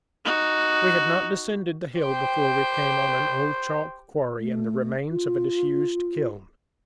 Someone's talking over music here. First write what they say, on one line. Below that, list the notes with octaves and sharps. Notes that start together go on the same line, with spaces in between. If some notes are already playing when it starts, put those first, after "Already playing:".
We had not descended the hill before we came on an old chalk quarry and the remains of a disused kiln.
D#4 F#4
G4 C5 G5
A3
F4